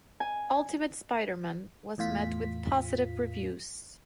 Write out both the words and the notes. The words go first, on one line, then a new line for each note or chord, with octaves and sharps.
"Ultimate Spider-Man" was met with positive reviews.
G#5
E2 A2 F4 B6